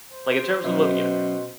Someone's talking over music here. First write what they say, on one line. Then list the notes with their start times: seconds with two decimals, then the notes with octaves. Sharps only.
like, in terms of what, you know,
0.12 C5
0.64 B2 F#3 C#4 B4 E5